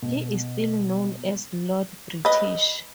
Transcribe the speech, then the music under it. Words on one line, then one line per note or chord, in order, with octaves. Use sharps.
He is still known as Lord British.
B2
B4 D#5